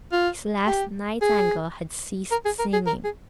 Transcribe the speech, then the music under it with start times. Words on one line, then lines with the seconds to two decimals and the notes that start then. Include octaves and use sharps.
His last nightingale had ceased singing.
0.12 F4
0.67 G4
1.22 G#4
2.31 A#4
2.45 G#4
2.59 A#4
2.73 G#4
2.87 A#4
3.04 G#4